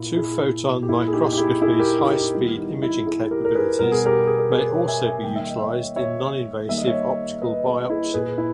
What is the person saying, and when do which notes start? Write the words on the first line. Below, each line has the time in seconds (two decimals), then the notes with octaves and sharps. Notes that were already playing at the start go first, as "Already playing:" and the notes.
Two-photon microscopy's high speed imaging capabilities may also be utilized in noninvasive optical biopsy.
Already playing: A#2 A#3 E4
0.17 E4 G#4
0.83 G4
0.89 A#2 A#3 E4
1.08 G#4
1.13 D#4 G4
1.32 G4
1.37 E4 G#4
1.62 E4 G#4
1.80 G4 A#4
1.98 D#4 G4
2.10 G4
2.16 E4
2.34 D#3 G3 B3 E4
2.58 D#4
2.82 E4
3.06 E4 G#4
3.31 G4 A#4
3.45 A#4
3.55 G#4 B4
3.79 B2 G3 B3 A#4
3.92 G#4
4.06 G4 A#4
4.27 G#4
4.39 A#4
4.51 G#4 B4
4.64 B4
4.70 A#4 C#5
4.88 E5 G#5
5.06 E5 G#5
5.24 D#3 G3 A#3 G5
5.36 E5
5.47 D#5
5.59 C#5 E5
5.96 C#5 E5
6.69 D#3 G3 A#3 E5
6.78 D#5
6.87 C#5 E5
7.41 B4 D#5
7.65 G#4 B4
7.90 E4 G#4
8.14 A#2 A#3 G#4 B4
8.38 E4